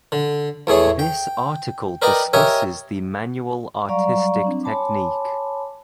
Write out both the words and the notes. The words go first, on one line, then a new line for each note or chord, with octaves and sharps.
This article discusses the manual artistic technique.
D3
E2 A3 G#4 C#5
G5
A#4 B4 D5 D#5 G5 A#5
G4 A#4 C#5 D#5 E5 G#5
F#3 G3 D5 F5 A#5 C#6
C4 D4
C#5 G#5 A5 B5 C6 D6